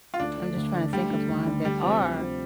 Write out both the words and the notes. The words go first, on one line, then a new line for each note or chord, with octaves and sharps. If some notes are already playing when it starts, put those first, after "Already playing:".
I'm just trying to think of one that are
F4
D2 D4
D3 A3
D2
D3 A3
D2 G3
D3 A3
D2
D3 A3
D2 G3
C3 F3 C4
D2
C3 F3 C4